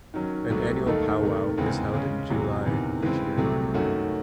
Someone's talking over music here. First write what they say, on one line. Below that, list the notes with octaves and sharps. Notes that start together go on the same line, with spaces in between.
An annual pow-wow is held in July each year.
D#3 F#3 C#4
C2 C3 F#3 A3
D#2 D#3 A3 D#4 A4
C3 D#3 A3
E2 C#3 G#3 C4
C#3 G#3 C#4
E2 C3 F#3
E2 C3 D#3
C#3 E3 G#3 C4
C2 C3 F#3 A3 C4
F#2 D#3 A3 C#4 F#4